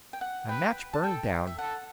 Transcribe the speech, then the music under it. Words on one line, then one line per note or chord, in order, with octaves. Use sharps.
My match burned down....
G5
F#5
B4 G5
A5
A4 G5
E5
A4 F#5